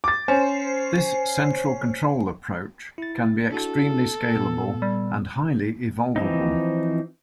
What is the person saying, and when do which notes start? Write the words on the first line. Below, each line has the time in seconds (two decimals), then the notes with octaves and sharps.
This central control approach can be extremely scalable and highly evolvable.
0.04 D6 A6
0.28 C#4 C5
2.98 E4 A6
3.51 D4 E4 F#4 A4
4.35 A#2 B3 E6
4.82 G3
6.16 E3 F3 C4 D#4